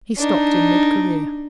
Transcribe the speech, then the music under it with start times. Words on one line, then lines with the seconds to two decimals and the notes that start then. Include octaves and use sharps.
He stopped in mid career.
0.18 D4 D#4